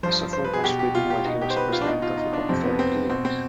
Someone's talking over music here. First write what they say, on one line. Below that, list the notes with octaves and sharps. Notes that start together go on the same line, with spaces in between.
The software was written while he was a resident of Rockford, Illinois.
G2 F3 C5
C5
B4
G#4
B2 G4
G4
F4
G4
B2 D#4
G4
C5
B4
F4
D4
B2 D#4
F4
D#4
D4
F2 C3 F3 C4
B3
C4
B2 C4
C4